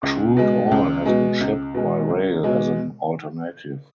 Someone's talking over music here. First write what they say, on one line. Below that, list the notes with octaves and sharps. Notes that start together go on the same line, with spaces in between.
Crude oil has been shipped by rail as an alternative.
C#2
B2 G#3
C#2
B2 G#3
C#2
B2 G#3
C#2
B2 G#3